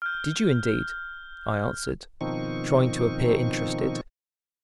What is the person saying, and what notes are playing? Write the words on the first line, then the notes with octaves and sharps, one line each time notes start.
"Did you, indeed?" I answered, trying to appear interested.
F6 G6
B2 D#3 F3 C4 D#4 C#6